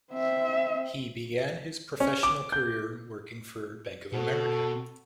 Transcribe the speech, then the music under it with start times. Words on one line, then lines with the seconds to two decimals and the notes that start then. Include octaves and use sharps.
He began his professional career working for Bank of America.
0.12 C4 E5
2.00 C#4
2.23 D6
2.52 G6
4.13 B2 F#4 A4